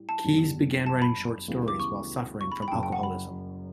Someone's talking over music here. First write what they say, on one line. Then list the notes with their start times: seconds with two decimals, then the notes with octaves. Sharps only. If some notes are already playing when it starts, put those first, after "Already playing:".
Keyes began writing short stories while suffering from alcoholism.
Already playing: A2 G3
0.09 A5
0.24 F#1 E2 B2 G3
0.86 A5
1.02 B5
1.48 D2 C#3 E3 G3 B3
1.68 D6
1.80 C#6
2.41 C#6
2.52 B5
2.62 B5
2.68 G5
2.72 F#1 F#2 C#3 F#3 A5
2.83 G5
2.92 F#5
3.03 B5